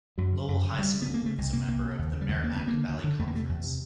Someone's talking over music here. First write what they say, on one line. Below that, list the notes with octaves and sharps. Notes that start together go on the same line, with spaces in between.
Lowell High School is a member of the Merrimack Valley Conference.
F#2 F#3
C#3
F#2
C#3
D2 G3
C#3
B3
D2
A#3
C#3 A3
C2 G#3
C3 A#3
C2 A#3
C3
D#2
C#3
G3
D#2 G#3
C#3 A#3
D2 B3
A#3
D3
D2
D3
E2 A3
A#3
C3 A3
E2
C3